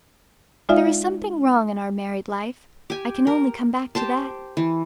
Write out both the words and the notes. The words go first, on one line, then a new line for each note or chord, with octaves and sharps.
There is something wrong in our married life--I can only come back to that.
G#3 D#4 F4 D5 E5 F5
G4 G#5
A#4
G4 C5 A5
E3